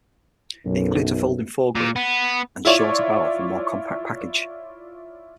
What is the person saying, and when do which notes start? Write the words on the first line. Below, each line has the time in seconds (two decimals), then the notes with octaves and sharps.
It includes a folding foregrip and shorter barrel for a more compact package.
0.65 B1 F#2
1.75 A#2
1.96 B3
2.65 E4 F4 C#5 D5